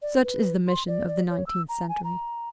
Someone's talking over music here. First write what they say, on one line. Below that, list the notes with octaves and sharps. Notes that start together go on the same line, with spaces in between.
Such is the mission of the nineteenth century.
D5
B4
C6
D5
D5
C#5
E6
A#5
G#5
A#5